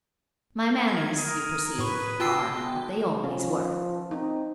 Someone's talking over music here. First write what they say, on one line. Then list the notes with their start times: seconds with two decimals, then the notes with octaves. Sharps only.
"My manners, you perceive, are what they always were."
0.88 A#4 G#6
1.18 A#4 D#6
1.79 A2 B4 C#6
2.20 F4 F#4 G5 A5 E6 C7
2.53 G#3 B3
3.24 F3 C#4
4.11 C4 D#4